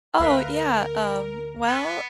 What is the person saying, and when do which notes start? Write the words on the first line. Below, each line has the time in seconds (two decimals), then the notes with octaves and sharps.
Oh, yeah, um, well,
0.20 D2 A#4 B4 E5 F5
1.67 B3